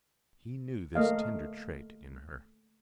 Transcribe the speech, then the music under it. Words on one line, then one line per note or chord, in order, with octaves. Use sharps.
He knew this tender trait in her.
A3 A#3 D#5 F5